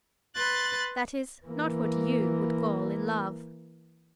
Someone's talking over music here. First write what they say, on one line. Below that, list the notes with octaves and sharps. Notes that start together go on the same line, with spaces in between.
That is, not what YOU would call in love.
B4 C6 F#6 A6
E3 A#3